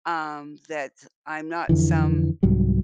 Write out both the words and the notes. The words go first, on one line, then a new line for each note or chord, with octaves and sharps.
um, that I'm not some
F2 D3 E3
C2 G#2 F#3 G3